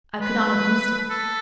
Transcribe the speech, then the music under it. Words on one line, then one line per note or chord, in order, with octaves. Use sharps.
I could not have missed it.
B4
A4